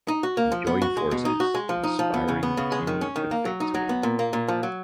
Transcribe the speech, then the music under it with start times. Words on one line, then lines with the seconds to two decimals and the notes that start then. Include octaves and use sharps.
They join forces, inspiring the team to victory.
0.08 D#4
0.23 F#4
0.37 A#3
0.52 F3
0.67 B3
0.82 F#4
0.97 G#3
1.11 B2
1.25 D#4
1.40 F#4
1.55 G#3
1.69 F3
1.83 D#4
1.99 F3
2.14 B3
2.28 C#3
2.43 B3
2.57 C#3
2.72 G#3
2.87 D#3
3.01 C#4
3.16 D#3
3.31 A#3
3.45 F#3
3.60 D#4
3.75 F#3
3.89 B3
4.03 A#2
4.19 A#3
4.33 A#2
4.48 F3
4.63 F#3